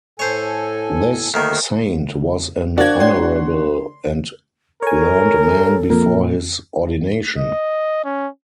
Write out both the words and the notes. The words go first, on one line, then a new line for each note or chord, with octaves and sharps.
This saint was an honorable and learned man before his ordination.
A2 A4 C5 C#5 G#5
D2 D#3 A#3
D4 F#4 A#4 C5 D5 F5 G#6
C#5 D5 G5 C6
A4 A#4 C#5 G#5
F2 A#2 A#4
D#5
C#4